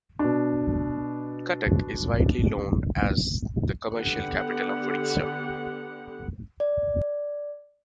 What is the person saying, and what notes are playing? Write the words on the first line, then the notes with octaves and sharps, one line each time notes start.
Cuttack is widely known as the commercial capital of Odisha.
B2 D4
D3 B3 G4 F#5
D5